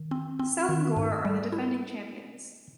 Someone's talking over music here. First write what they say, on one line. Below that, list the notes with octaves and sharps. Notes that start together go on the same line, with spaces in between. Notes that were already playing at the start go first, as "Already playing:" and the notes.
Selangor are the defending champions.
Already playing: D#3
C4
C4
D#3
G#2
G3
E4